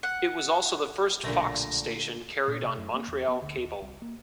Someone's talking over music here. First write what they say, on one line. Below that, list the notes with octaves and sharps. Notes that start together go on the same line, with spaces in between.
It was also the first Fox station carried on Montreal cable.
F#5
B1 A#2 D3 A3 A#6
A#2
C3
F#2
A#3
E2
B3
D2
D#2
C2
A#3